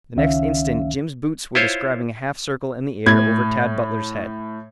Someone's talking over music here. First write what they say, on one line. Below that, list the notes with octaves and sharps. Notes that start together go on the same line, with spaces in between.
The next instant Jim's boots were describing a half circle in the air over Tad Butler's head.
C#2 D#3 C#4 E5 F5
E4 F4 C5 C#5
A2 G#6